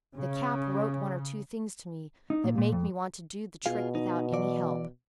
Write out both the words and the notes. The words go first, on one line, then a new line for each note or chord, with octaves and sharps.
The Cap wrote one or two things to me that make me want to do the trick without any help.
C#3
D#4
A#2
A#2
F2
B2 F4 G#4 F5
D#4
E3 D5